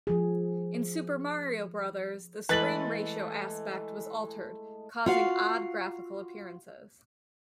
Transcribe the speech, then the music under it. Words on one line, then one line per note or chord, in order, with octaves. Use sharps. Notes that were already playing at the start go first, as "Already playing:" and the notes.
In "Super Mario Bros.", the screen ratio aspect was altered, causing odd graphical appearances.
F3 G#4
E3 G#3 A3 E4 B4 A6 F#7
F4 F#4 F5